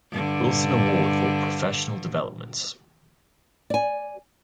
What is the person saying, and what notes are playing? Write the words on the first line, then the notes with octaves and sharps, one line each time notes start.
Wilson Award for Professional Development.
G2 D3
D5 G#5